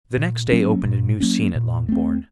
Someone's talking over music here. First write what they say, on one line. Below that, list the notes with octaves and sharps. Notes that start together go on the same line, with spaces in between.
The next day opened a new scene at Longbourn.
A#2
F#3 A#3 C#4
A#2
F#3 A#3 C#4
A#2
A3 C4